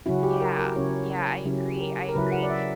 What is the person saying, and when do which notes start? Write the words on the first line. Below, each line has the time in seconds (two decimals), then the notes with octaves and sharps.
Yeah, yeah. I agree, I agree.
0.06 C#3 F#3 C#4 E4 F#4
0.23 G4
0.41 A#4
0.58 A#4
0.75 C#3 F#3 C#4 E4 C#5
1.45 C#3 F#3 C#4 E4 G4
1.75 G4
1.81 A#4
2.09 A#4
2.15 C#3 F#3 C#4 E4 B4
2.32 F#5
2.43 D5
2.50 E5